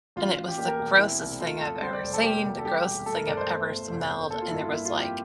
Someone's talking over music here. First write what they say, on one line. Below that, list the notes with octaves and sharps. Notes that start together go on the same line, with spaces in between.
and it was the grossest thing I've ever seen, the grossest thing I've ever smelled, and there was, like
A1 F4
A1 F4
G4
A#3 G4
A#4
E1 G4
C4 E4
C2
A3 F4
F2 A4
G3 C5
D5
F1
A4
A#3 G4
D2
A4
G3 G4
E1
A3 A4
A#4
G1 D5
C5
A3
G1
F1
F1
A#3 A4
F4
G2 E4
F4
A#3 E4
F4
F2
G4